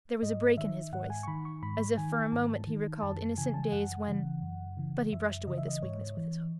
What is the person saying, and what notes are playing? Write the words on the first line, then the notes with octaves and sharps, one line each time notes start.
There was a break in his voice, as if for a moment he recalled innocent days when--but he brushed away this weakness with his hook.
G#2 D#5
D#3 E5
G#2 F#5
G#5
C#6
D#3 B5
C#6
G#2 B5
D#3 G#5
G#2 A5
D#3
F#2 A5
C#3 E3 G#5
A5
G#5
F#2 F#5
C#3 E3
F#2
C#3 E3
F#2 E5
C#3 E3 D#5
E5
D#5
G#2 C#5
E3